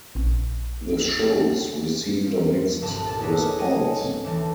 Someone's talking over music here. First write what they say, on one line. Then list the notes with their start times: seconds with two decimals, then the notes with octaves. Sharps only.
The shows received a mixed response.
0.15 A#1
2.26 F3
2.82 G1 C2 A#2 G3 A5
3.06 A5 A6
3.19 D4 D#4 G#4 A4 B4 C#5
3.57 C#5 D#5 G#5 A5
4.24 D2 E3 A5